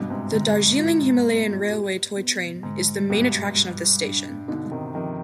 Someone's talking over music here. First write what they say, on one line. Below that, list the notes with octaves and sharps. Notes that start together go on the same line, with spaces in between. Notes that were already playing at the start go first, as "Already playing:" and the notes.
The Darjeeling Himalayan Railway Toy Train is the main attraction of this station.
Already playing: G2 B2 D4
G#2 C3
G#2 D3
F4
B3
G4
B3
G#2 D3
G2 B2 G4
G3
D4
B2 D3 D#4
C3 D#3
C3 D#3 F3